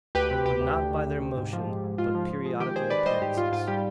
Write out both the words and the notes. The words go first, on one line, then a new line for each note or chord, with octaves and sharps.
But not by their Motion, but periodical Appearances.
D2 G4 B4
C3
D2 G4
D2
D2
D2
D2
C3
G#2
F3
G#2
G#2
G#2 F4
F3
F3
G#3
D#3 G4
D#3 G#4 C5
D#3 B4 D5
G3 C5 D#5
G#2 G4
G#2 F4
G#2 F4
G3 G4